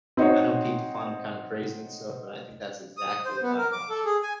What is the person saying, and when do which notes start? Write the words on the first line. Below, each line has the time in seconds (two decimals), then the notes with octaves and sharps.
I know people find him kinda crazy and stuff, but I think that's exactly why I watch
0.17 C4 D#4 F#4 C5 C#5
2.97 D#6
3.25 C5
3.43 B3
3.58 A#4
3.72 D6
3.90 A4
4.05 G#4
4.23 G#5